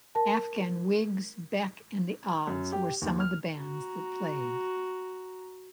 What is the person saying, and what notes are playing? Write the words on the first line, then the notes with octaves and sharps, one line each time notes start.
The Afghan Whigs, Beck, and the Odds were some of the bands that played.
A#4 A5
F#2
G4
D#2
F6
F#4 A#5